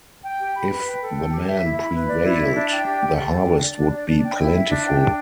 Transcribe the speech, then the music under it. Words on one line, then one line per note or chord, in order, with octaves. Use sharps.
If the men prevailed, the harvest would be plentiful.
G5
G4
B5
B4
G5
A4
G5
G4
E5
E4
B5
B4
D5
E4
E5
D4
G5
G4
G5
A4
G5
D4
D5
D4
D5
D4
G5
E4
E5
D4
G5
D4